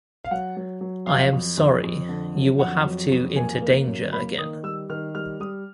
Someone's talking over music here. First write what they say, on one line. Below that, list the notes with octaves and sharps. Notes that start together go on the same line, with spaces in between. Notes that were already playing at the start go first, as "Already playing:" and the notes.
I am sorry you will have to into danger again.
F5
F#3 F#5
F#3
F#3
F2 F5
F2
F2
F2
D3
F#3
F2 F#5
F#3
F2
A#3 G#5
A#3
F#2
A#3 B5
D#3 D#6
G3 E6
D#3 F6
G3 F6
G3 D#6